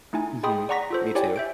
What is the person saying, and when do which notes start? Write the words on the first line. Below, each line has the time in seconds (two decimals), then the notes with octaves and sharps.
Mhm. Me too.
0.13 A3 D#4 E4 G#5
0.43 G#4 D#5 G5 B5 C6 D#6
0.69 D5 F#5 A#5 C#6 A#6 B6
0.90 F4 A4 C5
1.15 E4 G4 C#5 D5 G5 G#5
1.36 E5 G6 D7